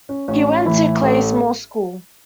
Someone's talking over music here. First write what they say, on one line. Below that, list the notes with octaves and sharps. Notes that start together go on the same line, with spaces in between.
He went to Clayesmore School.
C#4
A1 C#4
A2 E3 E4
A1 A4